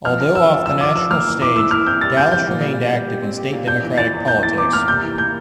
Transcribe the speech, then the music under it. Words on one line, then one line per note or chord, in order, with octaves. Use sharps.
Although off the national stage, Dallas remained active in state Democratic politics.
F3 F6
F3
F3 E6
F3
F3 E6
F3 D6
F3 E6
A#3 F6
E3
E4 D6
E3 E6
E4 F6
C4 G6
G3 A6
C4 G6
E3 G6
A#2
G3
G3
G3
G4
C4
G4
A#2
D4 G6
E3
E3 A6
E2
E3 G6
E3 A6
E2 D6
A#3 F6
C3 G6
E3
A#3 G6